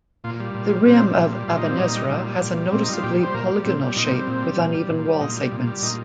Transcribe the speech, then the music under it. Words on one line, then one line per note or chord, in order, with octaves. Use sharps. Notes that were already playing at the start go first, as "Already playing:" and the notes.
The rim of Abenezra has a noticeably polygonal shape, with uneven wall segments.
A#2 F4
G3
A#2
F4
G3
A#2 C4
G3
A#2
G3
A#2 F4
D#4
G3 C4
A#2 D#4
G3
A#2
G3
A#2
G3
A#2 C4
D#4
G3 F4
A#2 G4
G3 C5
A#2 A#4
G3
A#2 C4
G3
A#2 D#4
C4
G3 A#3
C4
A#2
G3
A#2
G3
A#2
G3
A#2 D#4
G3
A#2
G3
A#2 D#4